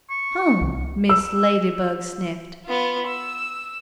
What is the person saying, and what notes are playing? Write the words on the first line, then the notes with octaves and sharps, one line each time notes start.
"Huh!" Mrs. Ladybug sniffed.
C#6
C2
E6
B3 F4
E6